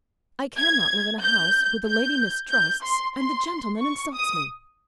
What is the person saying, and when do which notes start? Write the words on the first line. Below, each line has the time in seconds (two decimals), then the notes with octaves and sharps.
"I can not live in a house where the lady mistrusts and the gentleman insults me."
0.57 G#6
1.22 G6
1.86 G6
2.50 G6
2.83 C6
3.15 C6
3.80 C#6
4.13 D#6